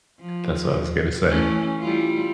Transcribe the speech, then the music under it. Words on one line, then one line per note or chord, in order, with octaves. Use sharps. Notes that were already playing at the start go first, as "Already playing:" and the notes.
That's what I was gonna say.
F3
E3 A3 C#4
G3 E4 F4